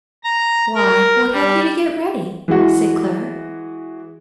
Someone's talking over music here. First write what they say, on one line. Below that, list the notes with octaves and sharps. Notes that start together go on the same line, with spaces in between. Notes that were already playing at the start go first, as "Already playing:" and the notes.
"Why, what have you to get ready?" said Clara.
A#5
A#4
G3
E3 G#3 F#4